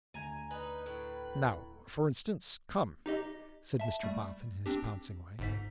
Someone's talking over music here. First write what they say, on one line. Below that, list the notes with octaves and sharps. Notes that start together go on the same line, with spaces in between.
'Now, for instance--come!' said Mr Boffin, in his pouncing way.
D2 G#5 A#5 G#6
D#4 B4
A2
D#4 G4 D#5
E5 A5
G3 A3
C4 D4 G4
G1 G#2 B6